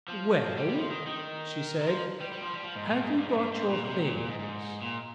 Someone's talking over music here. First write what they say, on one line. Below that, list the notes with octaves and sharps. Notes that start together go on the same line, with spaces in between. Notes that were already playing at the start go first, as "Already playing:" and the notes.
"Well," she said, "have you got your things?"
F3
G3
G3
F3
D#3
D#3
D#3
F3
G3
G3
F3
G3
F3
G#2
A#2
G#2
G2
G#2
G2
G#2
A#2
C3
A#2
A#2
G#2
G#2
A#2